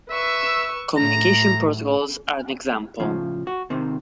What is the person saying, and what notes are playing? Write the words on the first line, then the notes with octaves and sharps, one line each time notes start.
Communications protocols are an example.
B4 E5 C#6 E6
A2 A#5
A2 C#3 F3
F#4
C3 D#3 C4